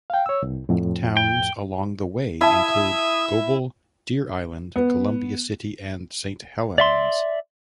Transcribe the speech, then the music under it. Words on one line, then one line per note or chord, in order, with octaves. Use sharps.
Towns along the way include Goble, Deer Island, Columbia City, and Saint Helens.
F5 G5
C#5 E6
C2
F2 A2
G5
E4 E5 F5 A5 D#6
B3
D5 E5 C6